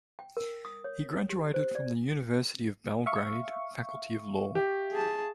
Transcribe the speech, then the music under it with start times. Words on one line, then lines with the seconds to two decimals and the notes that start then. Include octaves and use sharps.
He graduated from the University of Belgrade Faculty of Law.
0.19 G5
0.37 A#4
0.65 D#6
0.84 C#5
1.30 G4
1.54 C5
1.75 D5
3.06 E5 F5 C#6
4.55 G4
4.91 G#4 A5